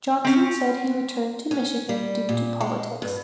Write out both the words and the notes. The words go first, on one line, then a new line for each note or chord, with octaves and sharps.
Johnson said he returned to Michigan due to politics.
C4 C#4
C#4
G3
A#2
G#3
G2